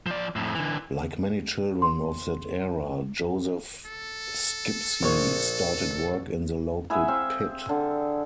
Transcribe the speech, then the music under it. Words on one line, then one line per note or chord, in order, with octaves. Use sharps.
Like many children of that era, Joseph Skipsey started work in the local pit.
F3 D5
F2 A2
D3 E3
C6
A4
A#1 C#5 C#6
E4 G#4 E5 F#5
C4 E5 F5
D3